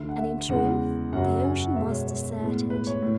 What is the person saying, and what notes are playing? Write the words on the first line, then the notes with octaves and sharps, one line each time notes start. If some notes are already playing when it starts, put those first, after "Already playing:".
And in truth, the ocean was deserted.
Already playing: D2 D3 A3 E5
F#5
E5
E2 C#3 G#3 B3 F#5
F#2 C#3 F#3 F#5
G#5
F#5
B2 G#3 B3 E5
C#5
C#5
A2 G#3 B3
B4
C#5
A2